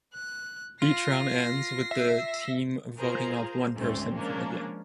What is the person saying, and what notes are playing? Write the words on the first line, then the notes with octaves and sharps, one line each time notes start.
Each round ends with the team voting off one person from the game.
F#6
F4 A#6 C7
E5
F4 G#4 A#4 C5 A#5
D2 G#2 A3 C4 C#4
F3 G#3 A#3 C#4 D4